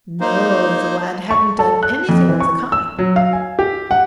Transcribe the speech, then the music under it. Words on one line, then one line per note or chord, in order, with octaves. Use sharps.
No, the lad hadn't done anything of the kind.
A#3 D#4 C5
C#6
A4
F#6
F2
E3
C#6
E6
F#3
F5
G#5
G4
F#5